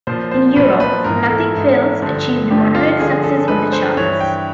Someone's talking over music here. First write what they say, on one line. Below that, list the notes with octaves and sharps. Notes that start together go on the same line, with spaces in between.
In Europe, "Nothing Fails" achieved moderate success on the charts.
A#2 F3 C5
C5
A#2 F3 B4
B4
G#2 E3 A#4
A4
G#2 E3
G2 D3 F3
G2 D3 F3 G4
F4
G2 D3 F3 G#4
A4
G2 D3 F3 B4
C5
G2 E3 C#5
G5